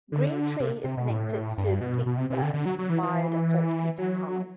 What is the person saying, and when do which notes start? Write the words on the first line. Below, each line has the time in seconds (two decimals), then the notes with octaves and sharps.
Green Tree is connected to Pittsburgh via the Fort Pitt Tunnel.
0.12 D3
0.60 C3
0.84 C3
0.97 B2
1.09 A2
1.58 G2
1.81 B2
2.06 B2
2.17 C3
2.30 C3
2.42 D3
2.54 D3
2.66 F#3
2.79 F#3
2.90 E3
3.03 E3
3.98 F#3